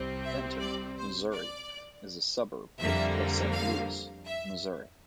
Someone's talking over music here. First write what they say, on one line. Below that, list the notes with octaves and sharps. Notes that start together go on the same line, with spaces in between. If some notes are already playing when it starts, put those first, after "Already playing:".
Fenton, Missouri is a suburb of Saint Louis, Missouri.
Already playing: C2 C3 G3 C4
E5
D5
C5
D5
F2 D3 G3 A#3 E5
F5
E5